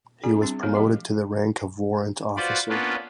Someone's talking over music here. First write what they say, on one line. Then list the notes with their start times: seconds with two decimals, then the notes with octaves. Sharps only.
He was promoted to the rank of warrant officer.
0.23 C#4 F4 G#4 D5 G#5
0.41 G3 C4 D4
0.63 G#3 B3 A4 C#5 F5
0.75 F3 G4 D#5
2.37 F4 F#4 B4 C5 D5
2.69 A#3 B3 C#4 D4 F4 B4